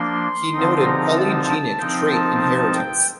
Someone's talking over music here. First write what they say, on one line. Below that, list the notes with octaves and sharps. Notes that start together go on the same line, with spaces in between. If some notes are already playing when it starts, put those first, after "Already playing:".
He noted polygenic trait inheritance.
Already playing: F3 A#3 D4 C6
D3 F3 C4 D#4
A#5
A5
F3 C4 D#4 G5
A5
G5